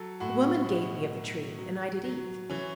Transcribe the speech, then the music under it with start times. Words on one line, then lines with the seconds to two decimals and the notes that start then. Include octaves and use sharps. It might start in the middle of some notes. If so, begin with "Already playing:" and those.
'The woman gave me of the tree, and I did eat....'
Already playing: F#3 A4
0.20 A2 F#4
0.66 B2 F#4
1.12 F#3
1.58 F#3
2.04 F#3
2.50 E3 C#4